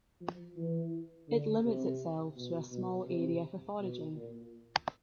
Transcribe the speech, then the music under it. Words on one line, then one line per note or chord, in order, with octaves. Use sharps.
It limits itself to a small area for foraging.
F3
E3
D3
C3
B2
B2
C3
B2
A#2